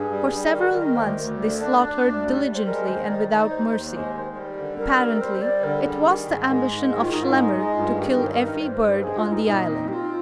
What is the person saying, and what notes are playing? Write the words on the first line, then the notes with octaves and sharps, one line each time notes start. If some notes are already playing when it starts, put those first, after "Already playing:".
For several months they slaughtered diligently and without mercy. Apparently it was the ambition of Schlemmer to kill every bird on the island.
Already playing: G2 G#4
G3
G3
D#3 A#4
D#3 A#4
D2 C5
D2
D3 D5
D4
D4
D2
G3
G3
C5
G#3 A#4
D#3 C5
D#4 D5
D#4
D#2 C5
D#2
G#3
D#3
G3
D3
G3 A#4
C4
G3 C5
G3 D5
D3 A#4
G4
G3 G#4
D#3
G#2
G#3
G#2
D#3 G#4
F4
G#2 D#4
F4
G#3 D#4
G#3
G2 F4
D#3 G4 G#4
G2 A#4
D#3
G2 C5 D5
G2
G#3 G#4
F4
G2
D#4
A#2 D#4
C4
C4 F4 G4